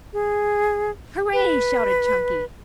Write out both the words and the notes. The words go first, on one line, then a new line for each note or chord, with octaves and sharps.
"Hooray!" shouted Chunky.
G#4
B4